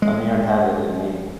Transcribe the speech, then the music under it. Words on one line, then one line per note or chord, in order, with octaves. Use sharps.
A mere habit in me.
G#3